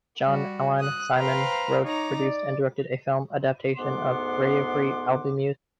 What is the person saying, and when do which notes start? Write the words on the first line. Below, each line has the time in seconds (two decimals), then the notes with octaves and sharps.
John Alan Simon wrote, produced and directed a film adaptation of "Radio Free Albemuth".
0.24 G3 F#4
0.79 D#6 F#6
1.15 B4 C5 F5 G5 A#5
1.84 D#4 C#5 A#5 D6
2.19 D5
3.77 D2 G#2 B3 F#5 C6 D6